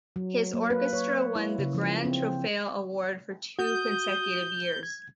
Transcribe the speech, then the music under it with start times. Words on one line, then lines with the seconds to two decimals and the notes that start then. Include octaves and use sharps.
His orchestra won the "Gran Trofeo Award" for two consecutive years.
0.16 F#3
0.54 A#3
0.70 B4
0.93 C#5
1.35 E4
1.58 C#3
1.74 F3
2.05 C4
3.59 F#4 D#6 G6
4.83 G#6